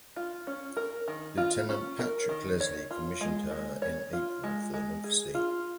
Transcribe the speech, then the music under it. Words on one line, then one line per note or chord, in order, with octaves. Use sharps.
Lieutenant Patrick Leslie commissioned her in April for the North Sea.
F4
C#4
A#4
D#3
F4
C#4
A#4
D#3
C#5
F4
G#3
G#3
C#5
F4
G#3
G#3
G#4
F4